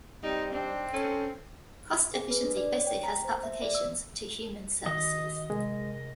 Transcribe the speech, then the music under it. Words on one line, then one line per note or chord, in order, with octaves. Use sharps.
Cost efficiency also has applications to human services.
G3 C4 D#4
C4 D4
C#4 A4
G#4
B4
D4
D5
C#5
G5
A#5
C5
E5
D5
E6
D#3 F#4 D#5
C3 G#3 G#4 A#4